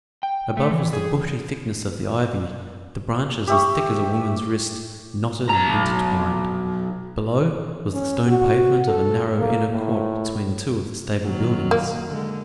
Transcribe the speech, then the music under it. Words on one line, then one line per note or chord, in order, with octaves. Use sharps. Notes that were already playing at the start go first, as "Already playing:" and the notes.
Above was the bushy thickness of the ivy, the branches as thick as a woman's wrist, knotted and intertwined; below was the stone pavement of a narrow inner court between two of the stable buildings.
G5
A3
E3
G#4
G4 E5 C#6
B1 A#5
C#4
F#4
A4
A#3
A2
A#2 D#3 F#3
A#3
D3 G#3